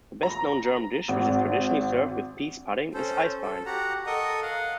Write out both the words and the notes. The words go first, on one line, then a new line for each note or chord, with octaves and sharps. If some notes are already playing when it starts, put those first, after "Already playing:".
The best-known German dish which is traditionally served with pease pudding is Eisbein.
A#5
G#1
C#4 A4 C5
A4
F#4 G4 F#5 A#5
A4 A#4 D#5 C#6 D#6
F5 F#5